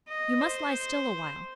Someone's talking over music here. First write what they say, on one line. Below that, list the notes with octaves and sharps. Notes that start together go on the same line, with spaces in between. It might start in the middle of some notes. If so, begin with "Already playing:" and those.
You must lie still awhile.
D#5
C5